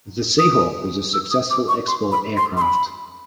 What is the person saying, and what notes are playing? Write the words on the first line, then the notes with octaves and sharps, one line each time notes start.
The Sea Hawk was a successful export aircraft.
D#6
E6
D#6
D6
C#6
C6
B5
C6
C6
B5